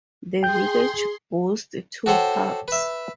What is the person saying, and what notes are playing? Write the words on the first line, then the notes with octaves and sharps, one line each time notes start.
The village boasts two pubs.
G#4 G5 C6 G6
F#4 G4 A4 C5 C#5 F#5
B4 E5